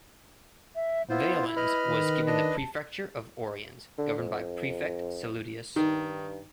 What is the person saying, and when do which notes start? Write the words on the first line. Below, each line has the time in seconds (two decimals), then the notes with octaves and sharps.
Valens was given the Prefecture of Oriens, governed by prefect Salutius.
0.75 E5
1.09 B3 E4 F4 C5
1.57 B4 D#5 B5 F6
1.87 D#3
2.27 D4 D#5 A5
3.98 D3
4.18 F2
5.76 G2 D#3